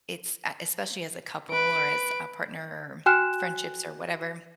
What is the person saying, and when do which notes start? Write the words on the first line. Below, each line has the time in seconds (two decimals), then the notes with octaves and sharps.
It's uh, especially as a couple, or as a partner, or friendships, or whatever,
1.51 B4 D7
3.06 F#4 G5 G#5 F6 F#6 E7